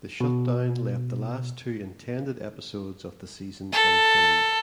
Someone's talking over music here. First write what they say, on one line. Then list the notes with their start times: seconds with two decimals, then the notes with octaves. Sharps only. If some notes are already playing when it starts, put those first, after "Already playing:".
The shutdown left the last two intended episodes of the season unfilmed.
0.20 B2
3.73 A4